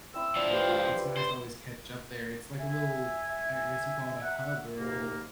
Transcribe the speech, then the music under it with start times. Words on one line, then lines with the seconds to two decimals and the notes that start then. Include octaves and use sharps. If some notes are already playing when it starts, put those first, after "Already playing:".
and it's nice to always catch up there. It's like a little I guess you call it a hub or a little
0.14 C4 E4 E6
0.36 F3 D4 E4
0.51 F4 G4 B4 C5
0.68 F4 G4
0.93 B4 E5
1.17 C5
2.59 E5 G#5
4.22 E5 F#5
4.77 D#2 G#2 C3 A#3